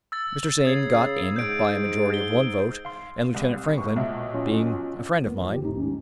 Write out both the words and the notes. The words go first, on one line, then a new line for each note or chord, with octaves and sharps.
Mr. Sain got in by a majority of one vote, and Lieutenant Franklin, being a friend of mine.
E6 A6
C#3 D#6 G#6 C7
G#2 G6 D7
G7
F5 C6
C2
C#2 C#6
B1 A#2 E5
F#3 C#4 F4
A#3 B3
F2 F3
G4
D1 A2 C4 D#4
D#2 G#2 C#4